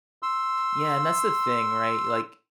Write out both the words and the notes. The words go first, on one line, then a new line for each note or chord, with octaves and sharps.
Yeah, and that's the thing, right? Like,
C6 E6